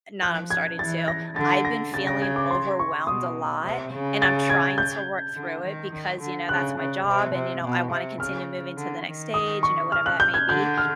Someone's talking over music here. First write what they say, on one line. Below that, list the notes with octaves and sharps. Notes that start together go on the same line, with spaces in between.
not I'm starting to I've been feeling overwhelmed a lot, and I'm trying to work through it because, you know, that's my job, and, you know, I wanna continue moving to the next stage, you know, whatever that may be."
F3 F#6
G#6
E3 A6
A#6
D3 A6
A#6
C#3 A6
A#6
G#6
D6
C6
C#6
B2 D#6
C3
C#3
A6
G#6
G6
D3
D#3
D#3
D3
C#3 F#6
C#3
C3
C3
B2
C3
C#3 F6
D3
D#3
D#6
C#6
F6
F#6
G6
G#6
D3 G6
F6